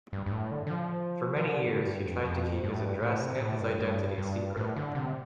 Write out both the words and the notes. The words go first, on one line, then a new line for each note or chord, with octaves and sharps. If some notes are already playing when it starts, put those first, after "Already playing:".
For many years he tried to keep his address and his identity secret.
G2
G2
A2
D3
D3
F3
F3
D3
A2
G2
F2
F2
G2
A2
G2
A2
C3
C3
A2
G2
G2
G2
A2
D3
C3